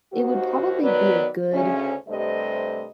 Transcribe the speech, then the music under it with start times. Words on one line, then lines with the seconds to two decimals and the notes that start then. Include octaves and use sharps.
it would probably be a good
0.12 D#2 F#4 C5
0.81 D#3 F#3 B3 B4 D5
1.51 D2 C#3 C#4
2.08 G2 C3 G3 A3 C5 D#5